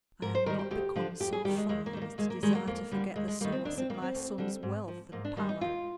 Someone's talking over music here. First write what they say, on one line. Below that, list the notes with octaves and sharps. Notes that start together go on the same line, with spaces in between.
I am not become so fine as to desire to forget the source of my son's wealth and power.
G#2 A#4
C5
D#3 G3 A#4
G4
D2 G4
D3 F3
F2 G4
G#4
D#3 G3 G4
G#3
D#2 G#3
A#3
D#3 G3
A#3
D#2 G#3
A#3
D#3 G3 G#3
A#3
F2 A#3
D3 G3
D#2 G#3
G#3
D#3 G3 A#3
C4
D#2 D4
C4
G3 A#3
D#3
C4
D2
D3 G3
G#2
F3
G#2 A#3
D4
D#3 G3 A#3
D#4
D#2 F4